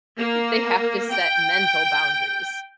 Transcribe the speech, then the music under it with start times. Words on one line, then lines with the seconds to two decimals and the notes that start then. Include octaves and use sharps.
they have to set mental boundaries.
0.18 A#3
1.12 G5